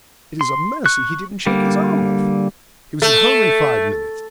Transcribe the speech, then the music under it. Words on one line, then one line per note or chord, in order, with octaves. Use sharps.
It is a mercy he didn't shake his arm off. He was at home in five minutes.
C6
C#6 F#6
D3 G3 A#3
A3